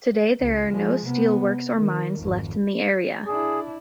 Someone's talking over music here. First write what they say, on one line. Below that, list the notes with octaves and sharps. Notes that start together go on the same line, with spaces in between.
Today there are no steelworks or mines left in the area.
C#2
F3 G#3
C3 B3
D#3
G#1 F2
D4 E4 G#4